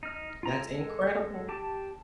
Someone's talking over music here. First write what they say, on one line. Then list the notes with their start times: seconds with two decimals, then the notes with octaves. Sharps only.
That's incredible.
0.03 D#4 F6
0.43 F4 A#5
0.60 G#3 A4
1.49 G4 A5 D6